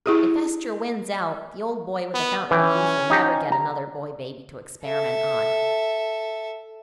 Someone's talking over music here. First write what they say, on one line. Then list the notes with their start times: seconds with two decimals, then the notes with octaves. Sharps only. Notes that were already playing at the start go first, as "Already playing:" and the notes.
"If Estra wins out, the old boy with the fountain of youth will never get another boy baby to experiment on!"
0.06 E4 G4 G#4
2.14 B3
2.51 E3 C#4 G5
3.10 D#4 G4 A#5
3.52 A#5
4.84 A4 E5